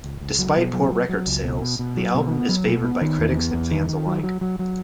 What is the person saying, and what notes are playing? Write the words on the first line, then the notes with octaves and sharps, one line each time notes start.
Despite poor record sales, the album is favored by critics and fans alike.
C#2
C#2
F#3
B2
F#3
F#3
F#3
C#2
B2
B2
B2
F#3
B2
B3
F#3
B2
B3
D#3
E2
B3
E2
D#3
D#3
F#3
F#3
F#3
F#3